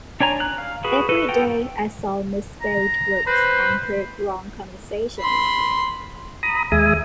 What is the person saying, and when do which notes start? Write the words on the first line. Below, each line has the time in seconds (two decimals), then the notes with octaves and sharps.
Every day I saw misspelled words and heard wrong conversations.
0.20 D4 C#5 G#5 A#5
0.40 F#6
0.58 F5
0.84 F#4 G#4 B4
1.09 F#4 A4 B4
1.29 F4 G4 A4 F#5 G5
2.62 A#5
3.27 B4 C5
5.20 B5 C6
6.43 A#5 B5 D#6
6.72 D#2 G#3 E5 G#5 D#6